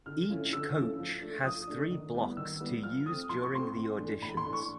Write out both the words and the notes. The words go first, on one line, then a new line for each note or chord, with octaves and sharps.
Each coach has three blocks to use during the auditions.
D3 F6
F3 A3 C#4 E4
D3 E6
F3 A3 C#4 E4
F3
A3 D4
F3 D#6
A3 D4
D#3
G3 B3 E4
D#3 E6
G3 B3 E4
F3 F6
A3 C4 D#6
F3 C6
C#6
A3 C4 C6
A2
E3 A3 D4
A2 B5
C6
E3 A3 D4
C#6